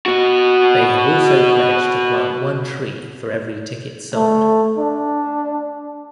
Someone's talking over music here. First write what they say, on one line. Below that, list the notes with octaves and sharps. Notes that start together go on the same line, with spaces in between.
They have also pledged to plant one tree for every ticket sold.
B2 F#4
A3
D4